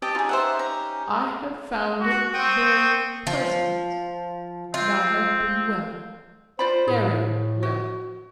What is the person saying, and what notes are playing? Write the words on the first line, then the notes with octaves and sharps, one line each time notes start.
I have found it very pleasant--and I have been well--very well.
G4 D#5 A5 E6
C#4 D#4 F4 G4 G#4
C5 E5 F#5
A#5
F#4
C4 G5 C#6 D#6
F3
C4 F4
F4 C5 D5 B5
A2 G#4
F#4